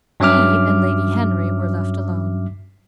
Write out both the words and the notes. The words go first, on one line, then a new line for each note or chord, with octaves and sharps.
He and Lady Henry were left alone.
G2 F#3 C#4 E5 D6 F6